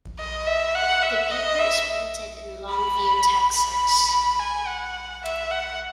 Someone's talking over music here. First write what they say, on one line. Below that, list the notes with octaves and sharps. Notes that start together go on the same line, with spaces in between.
The paper is printed in Longview, Texas.
D#5
E5
F#5
E5
D#5
E5
B5
B5
B5
G#5
F#5
E5
F#5